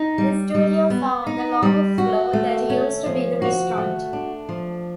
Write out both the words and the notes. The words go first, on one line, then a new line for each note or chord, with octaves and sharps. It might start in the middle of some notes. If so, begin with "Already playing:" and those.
The studios are on the lower floor that used to be the restaurant.
Already playing: D#4
G3
G3
B3
D#4
G3
F#4
A3
C#4
F3
F#4
A3
D4
F3